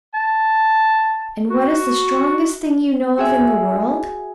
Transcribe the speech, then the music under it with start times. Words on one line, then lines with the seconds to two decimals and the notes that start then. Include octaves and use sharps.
And what is the strongest thing you know of in the world?
0.14 A5
1.50 F#4
3.18 F#4 G#4 E5